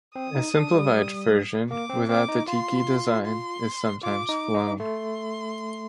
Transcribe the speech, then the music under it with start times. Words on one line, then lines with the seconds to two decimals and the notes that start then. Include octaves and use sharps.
A simplified version, without the tiki design, is sometimes flown.
0.16 C4 D#6
0.35 D#4
0.54 D4
0.74 G3
1.70 A#3 D6
1.89 C4
2.09 C4 D6
2.29 D#4
2.48 F4 C6
3.25 C6
4.03 F4 D6
4.29 D#4
4.55 D#4
4.80 A3 C6